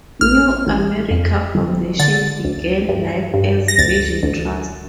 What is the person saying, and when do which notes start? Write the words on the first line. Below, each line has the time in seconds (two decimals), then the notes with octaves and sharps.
New America Foundation began life as Vision Trust.
0.21 A1 F6
0.66 A1
1.11 F2
1.55 G1
2.00 D3 A6
2.45 D2
2.89 G2
3.34 G2
3.68 A#6
3.78 D2 A6
4.23 D2